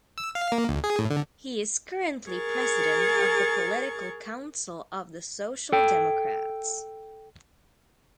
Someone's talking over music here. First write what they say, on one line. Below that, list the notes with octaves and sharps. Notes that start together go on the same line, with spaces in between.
He is currently president of the Political Council of the Social Democrats.
E6
F5
A#3
D2
G#4
A2
D3
G#4 A#4 C#6 A6
A4 G5